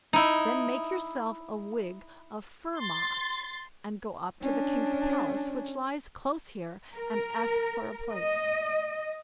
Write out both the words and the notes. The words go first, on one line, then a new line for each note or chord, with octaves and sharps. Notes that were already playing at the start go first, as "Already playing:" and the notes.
Then make yourself a wig of fir-moss, and go up to the king's palace, which lies close here, and ask for a place.
D#4 E4
C6 A6
C#4 D4
A#4
D#5